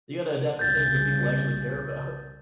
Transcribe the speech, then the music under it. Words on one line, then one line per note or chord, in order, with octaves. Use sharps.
you gotta adapt the things that people actually care about.
C2 C#3 G6 A6